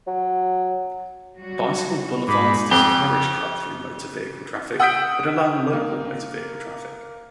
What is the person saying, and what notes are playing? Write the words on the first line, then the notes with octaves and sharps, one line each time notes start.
Bicycle boulevards discourage cut-through motor-vehicle traffic but allow local motor-vehicle traffic.
F#3
F#3 G3 F#4
G#2 B5 D6
F2 G4
F#5 D#6 E6 G6 B6 D7
A#3